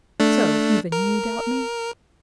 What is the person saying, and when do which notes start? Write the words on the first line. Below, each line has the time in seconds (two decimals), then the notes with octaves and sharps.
"So, even you doubt me?"
0.20 A3 D4
0.92 A#4